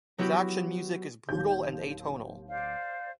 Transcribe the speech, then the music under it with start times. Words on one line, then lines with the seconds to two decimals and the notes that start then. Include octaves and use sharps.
His action music is brutal and atonal.
0.18 F#3 B3 E4 F#4 G4
1.29 D1 D#2 G6
2.49 C5 D5 F5